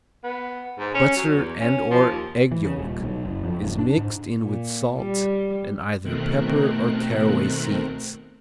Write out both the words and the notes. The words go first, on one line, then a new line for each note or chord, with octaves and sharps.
Butter and/or egg yolk is mixed in with salt, and either pepper or caraway seeds.
B3
G#2
C#4
F#3
E2
C#4
F3
D#2
E3
C#3
D#1
B1
F#1
F2
F#1
D4
G#2
A#2
G3
B2 D#3 A3 C4 A#4 F#6